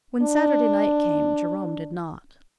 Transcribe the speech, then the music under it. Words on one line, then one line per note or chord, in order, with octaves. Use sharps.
When Saturday night came Jerome did not.
D4